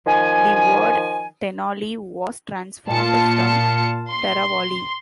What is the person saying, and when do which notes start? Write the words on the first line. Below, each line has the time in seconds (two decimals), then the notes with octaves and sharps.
The word "Tenali" was transformed from "Teravali".
0.07 D#3 F3 G#5
2.88 A#2 F4 A5 C#7
4.09 C6